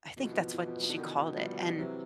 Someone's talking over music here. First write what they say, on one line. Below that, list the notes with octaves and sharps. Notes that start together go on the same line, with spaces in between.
I think that's what she called it, and
B2 E3
F3
E3
F3
E3
F3
E3
F3
E3
F3
D3 E3
D#3 F3
F3 G3
C3 E3 F#3